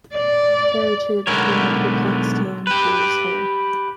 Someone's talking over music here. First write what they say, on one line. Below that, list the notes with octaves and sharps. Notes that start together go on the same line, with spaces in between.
Heritage ran a perplexed hand through his hair.
D5
B1 D3 G#3 B3 A#4 C#5
G4 B4